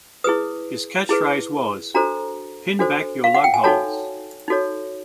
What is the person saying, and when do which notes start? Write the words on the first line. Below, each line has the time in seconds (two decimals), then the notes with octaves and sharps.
His catchphrase was 'Pin back your lugholes'.
0.24 E4 G#4 B4 D#6
1.09 E4 G#4 B4
1.94 D4 F#4 A4 C5 A#5
2.79 D4 F#4 A4 C5
3.24 F5
3.34 F#5
3.44 G5
3.54 G#5
3.64 D#4 F#4 A4 C#5 A5
4.48 D#4 F#4 A4 C#5